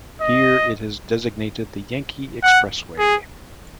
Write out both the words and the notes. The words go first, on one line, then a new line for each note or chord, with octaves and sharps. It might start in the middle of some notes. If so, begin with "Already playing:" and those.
Here it is designated the Yankee Expressway.
D#5
F#5
G#4